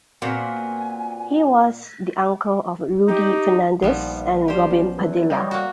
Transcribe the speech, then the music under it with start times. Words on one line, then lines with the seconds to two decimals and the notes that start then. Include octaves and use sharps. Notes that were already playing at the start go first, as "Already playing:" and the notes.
He was the uncle of Rudy Fernandez and Robin Padilla.
0.22 A#2 B3 C4 F#4 G#5
3.08 D#4 G4
3.82 A#1 D#3 F3 G3 B3
4.48 G3 D4 G4 C5
4.70 F3 B3 C#4
4.98 E2
5.30 G3 C#5 D#5 G5
5.51 A#3 F#4